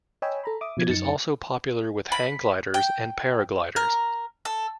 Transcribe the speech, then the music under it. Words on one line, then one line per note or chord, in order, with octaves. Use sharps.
It is also popular with hang gliders and paragliders.
C#5 D#5 G5 G#5 B5 E6
A4 A#5 B5
E5 D6 D#6
B2 F3 G#6
F#2 D#4 A6 C#7
B5
G5
A#4
A4